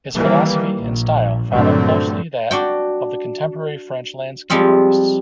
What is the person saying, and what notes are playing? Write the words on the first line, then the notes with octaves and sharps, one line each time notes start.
His philosophy and style follow closely that of the contemporary French landscape artists.
D#3 E3 G3 A#3
A#1
G2 A#2 D3 F#3 A3 C4
D4 F#4 G5
F3 G3 G#3 C4 F4